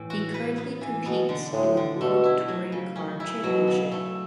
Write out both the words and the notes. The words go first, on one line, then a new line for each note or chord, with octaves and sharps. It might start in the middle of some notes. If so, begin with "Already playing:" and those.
He currently competes in the World Touring Car Championship.
Already playing: A2 E3
F#4
B4
B3
E3
B2 B3
D3
A2 G#3
D3
B2 A3
E4
F#3
C#3
C#4
E4
B2 F#3
C#3
A3